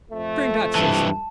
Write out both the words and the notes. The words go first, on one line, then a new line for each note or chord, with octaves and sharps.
Drink that, citizen.
F2 A3
G2 E3 A5